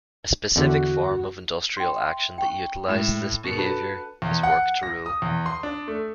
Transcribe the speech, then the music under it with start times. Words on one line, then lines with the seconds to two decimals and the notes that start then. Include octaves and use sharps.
A specific form of industrial action that utilizes this behavior is work-to-rule.
0.56 E2 D3 F#4
1.77 G5 C6
1.97 E5
2.38 G5 C#6
2.89 A2 G#3 B5 E7
3.44 B2 A#4 C#6 A6 C#7
3.58 D4 F#4 A4 B4 A5
4.22 E2
4.43 F#5
4.83 A#6
5.06 D#6
5.22 E2
5.46 C6
5.63 D4
5.88 A3